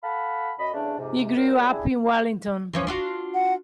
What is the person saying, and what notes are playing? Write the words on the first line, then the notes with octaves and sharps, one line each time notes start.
He grew up in Wellington.
A4 F5 F#5 A5 B5
F#2 D#5 B5
E2 C#3 A3 D4
F2 G#2 C3
F#3 G3 A#4
D4 E4 G4 G#4
E3 F3 C#4
D4 F4 F#4
F#5